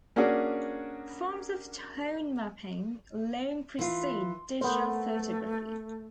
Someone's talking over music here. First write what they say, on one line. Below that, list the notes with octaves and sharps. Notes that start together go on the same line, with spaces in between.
Forms of tone mapping long precede digital photography.
A#3 C#4 D4 F#4 G#4
E3 F4 C6
A3 B3 A#4 C5